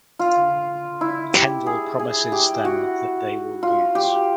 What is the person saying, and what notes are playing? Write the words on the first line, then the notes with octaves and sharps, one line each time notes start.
Kendall promises them that they will lose.
F4
E4
G4
G#4
G#4
G4
F#4
F4
G4